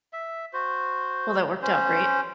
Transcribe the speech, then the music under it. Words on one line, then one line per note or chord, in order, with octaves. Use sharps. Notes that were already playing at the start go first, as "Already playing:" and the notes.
Well, that worked out great.
E5
F#4 C5
C#4 C5